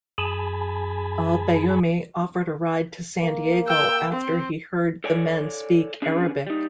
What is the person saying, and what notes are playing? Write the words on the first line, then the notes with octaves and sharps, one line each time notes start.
Al-Bayoumi offered a ride to San Diego after he heard the men speak Arabic.
F#2 G#4 G#5 A5 B5
A#3
G5 E6
C4
A4 C#5 D5 G#5
B3 C#4 D4 G#4
G3 D#4